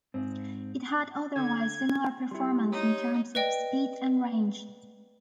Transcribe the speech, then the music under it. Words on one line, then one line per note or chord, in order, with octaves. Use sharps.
It had otherwise similar performance in terms of speed and range.
G#2 C4
D3 G#6
G3 E4 G4 C6
D#4 C#5
B4 D5 D#5 G5